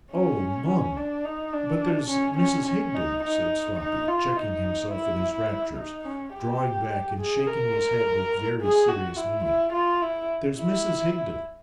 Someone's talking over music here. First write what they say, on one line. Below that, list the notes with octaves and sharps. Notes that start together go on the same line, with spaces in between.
'Oh, mum!--But there's Mrs Higden,' said Sloppy, checking himself in his raptures, drawing back, and shaking his head with very serious meaning. 'There's Mrs Higden.
C#4
C#4
D4
D#4
D4
C#4
C#4
C#4
D#4
D#4
D#4
F4
D#4
E4
D#4
C#4
G4
G#4
A#4
G#4
F#4
E4
E4
F4
E4
E4